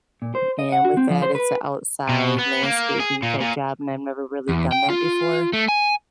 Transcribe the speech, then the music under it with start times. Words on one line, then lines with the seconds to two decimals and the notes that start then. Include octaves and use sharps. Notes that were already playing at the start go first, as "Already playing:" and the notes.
and with that, it's a outside landscaping type job, and I've never really done that before.
0.22 A#2
0.35 C5
0.59 D#5
0.72 F#5
0.85 F#4
0.97 C4
1.10 F3
1.22 C5
1.35 B4
2.09 B2
2.39 B3
2.63 A#3
3.00 G#4
3.22 A#2
3.40 A#2
4.49 E2
4.72 G5
4.90 F4
5.53 A3
5.68 G#5